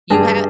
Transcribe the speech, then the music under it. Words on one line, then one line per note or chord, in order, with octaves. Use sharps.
You ha
G2 G#4